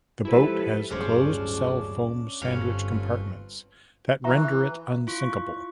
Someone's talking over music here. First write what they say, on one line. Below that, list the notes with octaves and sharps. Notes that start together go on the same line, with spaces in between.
The boat has closed cell foam sandwich compartments that render it unsinkable.
F3 G#3 E4 G4 A4 B4 C5
D1 G2 F3 G#3 C#4 D4 C5
G1 G2 C4 C#4 F4 A4 B4
E3 E5 A#5 C#6
E4 F4 C#6